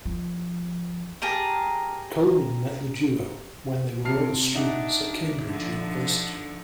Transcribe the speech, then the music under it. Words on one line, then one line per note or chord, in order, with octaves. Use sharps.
Colman met the duo when they were all students at Cambridge University.
F3
G4 G#4 A#4 A5
C3 A5 F6 C7
D4 D#4 E5 F#5
D3 F3